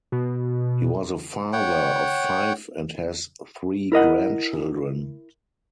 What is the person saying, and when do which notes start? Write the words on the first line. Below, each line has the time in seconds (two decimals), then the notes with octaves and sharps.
He was a father of five and has three grandchildren.
0.12 B2
1.53 C#5 F#5 G5
3.92 E4 A#4 D#5 F#5